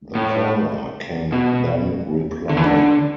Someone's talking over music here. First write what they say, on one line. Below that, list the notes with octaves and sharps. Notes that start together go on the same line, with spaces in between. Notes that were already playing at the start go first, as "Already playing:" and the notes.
The caller can then reply.
A2
B2
D3
E3
D3